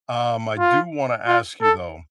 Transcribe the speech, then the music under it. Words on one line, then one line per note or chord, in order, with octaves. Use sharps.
um, I do wanna ask you, though,
F4
F4
A4